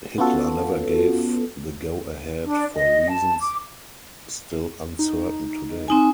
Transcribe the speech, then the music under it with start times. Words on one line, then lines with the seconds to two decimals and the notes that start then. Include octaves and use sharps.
Hitler never gave the go-ahead, for reasons still uncertain today.
0.18 B3 C#4 F4 F#4 A4
2.45 D4
2.74 D#5
3.10 A5
3.40 D6
4.99 D#4
5.88 C4 D#4 G#5